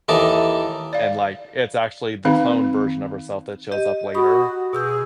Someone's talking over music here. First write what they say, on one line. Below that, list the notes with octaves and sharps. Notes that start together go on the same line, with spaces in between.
and, like, it's actually the cloned version of herself that shows up later.
D#2 E3 D#4 A4 D6
D5 F5
D#3 C4 D#4 F5
G4 D#5
F#4 B5 C#6 D#6
B2 G#4 E6 G6